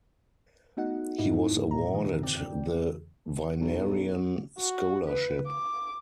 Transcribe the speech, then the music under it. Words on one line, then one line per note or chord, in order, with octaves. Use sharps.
He was awarded the Vinerian Scholarship.
A3 B3 D#4 F#4 F#5
G#2 G3 A#3 D#4 E4
A#2 A#5
G2 D#3 F3
C4 D5 G5
B1
F#4
B4
D6